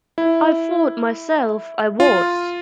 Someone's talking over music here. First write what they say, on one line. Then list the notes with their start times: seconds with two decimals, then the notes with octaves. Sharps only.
I thought myself I was.
0.18 E4
2.00 F4